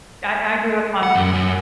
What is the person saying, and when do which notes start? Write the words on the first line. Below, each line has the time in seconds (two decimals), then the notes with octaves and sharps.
I I grew up on
1.03 F#5
1.15 F#2
1.33 F#2